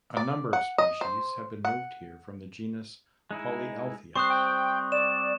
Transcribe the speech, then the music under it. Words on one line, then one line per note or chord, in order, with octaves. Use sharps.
A number of species have been moved here from the genus "Polyalthia".
D5
F#5
D#5
C5
F#5
G#3 D#4 E4
G3 C4 C5 C6 C#6 D#6 F#6
G5
D5 E7